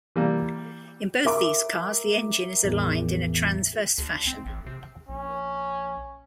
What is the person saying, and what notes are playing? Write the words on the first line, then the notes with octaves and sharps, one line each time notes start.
In both these cars the engine is aligned in a transverse fashion.
E3 G3 A#3
A#4 E5 D6
A1 E2
D2
C4
A1
C3
A#1 C#4